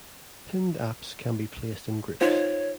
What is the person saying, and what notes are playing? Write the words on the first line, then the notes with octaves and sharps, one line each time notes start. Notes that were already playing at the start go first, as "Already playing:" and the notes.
Pinned apps can be placed in groups.
D#4 F4 C5 C#5